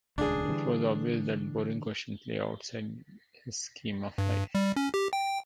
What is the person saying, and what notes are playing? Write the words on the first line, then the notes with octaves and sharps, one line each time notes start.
It was obvious that boring questions lay outside his scheme of life.
D#1 C#2 D4 G#4
D3 E3 G3
G2
G3
C#4
G4
G5